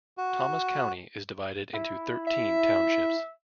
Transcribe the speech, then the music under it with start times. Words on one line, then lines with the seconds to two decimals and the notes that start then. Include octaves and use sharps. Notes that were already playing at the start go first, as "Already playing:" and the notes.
Thomas County is divided into thirteen townships.
0.18 F#4
1.73 E4
2.27 E5